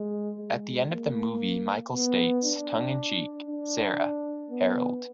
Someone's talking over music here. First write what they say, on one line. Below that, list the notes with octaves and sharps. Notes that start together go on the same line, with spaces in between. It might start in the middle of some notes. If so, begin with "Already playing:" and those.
At the end of the movie, Michael states, tongue in cheek, Sarah, Harold.
Already playing: G#3
G#3
A#3
B3
D4
D4
B3